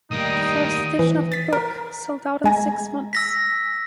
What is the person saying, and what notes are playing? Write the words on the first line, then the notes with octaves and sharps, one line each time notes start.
The first edition of the book sold out in six months.
D2 D#3 G3 A#3 D#4 D#6 D7
E3
A6 B6
A#4
G#3 G#5 A#5
E6 A#6 B6